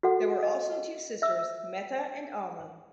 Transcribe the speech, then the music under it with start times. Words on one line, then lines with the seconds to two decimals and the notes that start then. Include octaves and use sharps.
There were also two sisters, Meta and Alma.
0.03 F#4 A4 F#5
0.43 D#5
1.22 E5 E6